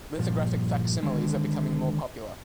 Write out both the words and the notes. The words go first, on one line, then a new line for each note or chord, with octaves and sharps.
Lithographic facsimiles are becoming more popular.
G2 A#2 F3
D3 D#3 G#3